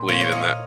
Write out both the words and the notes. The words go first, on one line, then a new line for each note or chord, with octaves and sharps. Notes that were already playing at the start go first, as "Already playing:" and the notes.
lead in that
Already playing: A#2
A#3 C#5
C#5
A#3 D#5